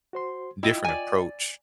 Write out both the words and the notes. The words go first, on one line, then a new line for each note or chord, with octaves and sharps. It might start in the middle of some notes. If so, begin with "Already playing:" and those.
different approach
F#4 C5 C6
E4 F4 D#5 G5
D5 G#5